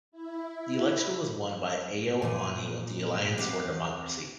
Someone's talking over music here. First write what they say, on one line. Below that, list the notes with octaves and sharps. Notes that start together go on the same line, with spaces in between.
The election was won by Ayo Oni of the Alliance for Democracy.
E4
A#2 F3 G#5
C4 G4 B4 F5 F#5